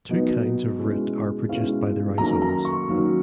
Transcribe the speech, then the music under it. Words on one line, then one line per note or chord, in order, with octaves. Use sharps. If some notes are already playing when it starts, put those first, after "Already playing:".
Two kinds of root are produced by the rhizomes.
B2 F#3 B3 D#4
B2 G#3 C#4 E4
B2 G#3 C#4 E4 F5
D#3 F#3 A#3 C#4 A#5
A#5
C#6
D#3 F#3 A#3 C#4